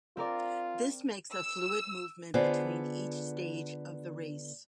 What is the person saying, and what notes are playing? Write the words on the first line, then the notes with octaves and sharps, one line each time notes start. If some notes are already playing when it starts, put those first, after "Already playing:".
This makes a fluid movement between each stage of the race.
C4 F4 A#4 D5
E6
D3 B3 F4 G#4 C5